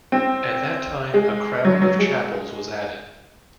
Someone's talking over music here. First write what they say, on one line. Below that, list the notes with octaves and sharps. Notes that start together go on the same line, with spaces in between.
At that time, a crown of chapels was added.
C4
G#3
F#3
F#3
G#3